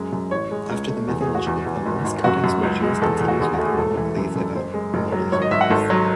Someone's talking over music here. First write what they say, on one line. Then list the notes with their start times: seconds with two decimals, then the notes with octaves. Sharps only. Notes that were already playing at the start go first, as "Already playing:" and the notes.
After the mythological poems, Codex Regius continues with heroic lays about mortal heroes.
Already playing: F#2 G#3
0.13 F#2
0.31 A1 C#5
0.51 G#3
0.71 C#2
0.90 A3
1.08 E2
1.21 G#4
1.27 E2
1.35 F#4
1.47 E2
1.66 E2
1.86 G#1
2.04 G#1
2.24 F#2 F#4
2.44 F#2
2.63 C#2
2.82 G#3
3.02 E2 A4
3.15 G#4
3.20 E2
3.28 F#4
3.40 D#2 G#4
3.54 A3 F#4
3.65 G#4
3.78 E1 A4
3.97 E3
4.17 F#2
4.36 F#2
4.43 A4
4.55 F#1 C5
4.74 G#3
4.94 F#1
5.12 F#3
5.32 G#1 C#5
5.42 D#5
5.51 G#1 E5
5.61 F#5
5.70 G#1 A4
5.90 F#3